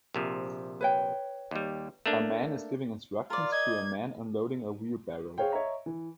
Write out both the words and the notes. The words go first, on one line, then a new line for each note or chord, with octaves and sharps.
A man is giving instructions to a man unloading a wheelbarrow.
A#1 C3 F3
B4 C#5 G5
D#2 G3
A3 A#3 D4
F4 A#4 D5
D#5 G#6
G#4 C5 C#5 F5 G5
C#5 D#5 E5 A#5
E3